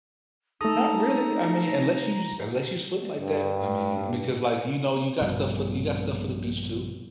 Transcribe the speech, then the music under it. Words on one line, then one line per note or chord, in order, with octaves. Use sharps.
Not really, I mean, unless you just unless you swim like that, I mean, because like, you know, you got stuff for you got stuff for the beach too,
A3 D#4 A4 A#5 D#6
G2
A#1 G2 B2